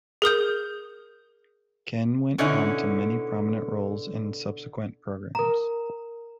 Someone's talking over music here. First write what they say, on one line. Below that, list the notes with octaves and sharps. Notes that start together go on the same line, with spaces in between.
Ken went on to many prominent roles in subsequent programs.
G#4 A#4 D#6 G6
B2 D3 C#4 D#4 E4
A#4 A#5